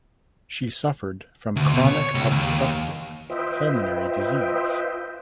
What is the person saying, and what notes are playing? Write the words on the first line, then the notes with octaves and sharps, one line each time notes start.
She suffered from chronic obstructive pulmonary disease.
D2
B2
C#5
C#2
D#2
F4 B4 C5 D#5 E5 G5